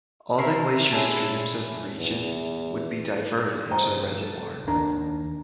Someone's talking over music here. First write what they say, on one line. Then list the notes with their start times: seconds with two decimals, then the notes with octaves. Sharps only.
All the glacier streams of the region would be diverted into the reservoir.
0.38 E4 A#4 E5 A#5 C6
0.92 A#2 G#3 C#4 E4 G#4 E5 A5
1.99 E2
3.71 G2 C5 D#5 G5 A#5
4.22 A4
4.67 D#2 D4 A#4 A#5